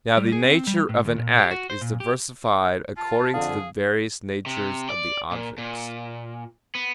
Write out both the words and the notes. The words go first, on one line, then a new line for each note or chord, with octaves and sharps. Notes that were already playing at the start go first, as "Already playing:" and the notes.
Now the nature of an act is diversified according to the various natures of the objects.
G3
G#4
C4
G3
A2
D#2
A#2
G4
F#4
C5
A#2
G4
F4 A5
F2 D3 G#4 F5
C3
D5
A#2
A#2
B3